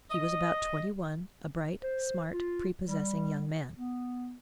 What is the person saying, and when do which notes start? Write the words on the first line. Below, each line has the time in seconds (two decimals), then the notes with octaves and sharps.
He was about twenty-one, a bright, smart, prepossessing young man.
0.11 D#5
1.83 C5
2.33 F4
2.88 G3
3.78 B3